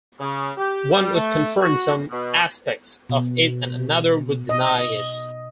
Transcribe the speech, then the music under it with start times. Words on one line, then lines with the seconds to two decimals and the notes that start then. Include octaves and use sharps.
One would confirm some aspects of it and another would deny it.
0.20 C#3
0.58 G4
0.92 G3
1.14 A3
1.61 F#4
2.11 B2
3.10 B2
4.49 D#5